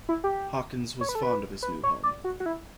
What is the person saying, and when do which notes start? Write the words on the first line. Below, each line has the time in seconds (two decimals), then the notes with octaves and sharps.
Hawkins was fond of his new home.
0.09 E4
0.24 G4
1.01 C#5
1.09 B4
1.15 A4
1.23 B4
1.63 B4
1.83 C#5
2.03 D5
2.24 F#4
2.40 F#4
2.46 E4